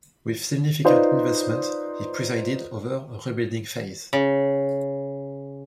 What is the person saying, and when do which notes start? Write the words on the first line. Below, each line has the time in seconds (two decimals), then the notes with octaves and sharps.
With significant investment, he presided over a rebuilding phase.
0.85 D#4 F4 B4 C5 D5
4.13 C#3